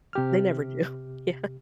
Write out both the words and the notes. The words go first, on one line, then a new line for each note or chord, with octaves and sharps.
They never do, yeah.
C3 G4 F6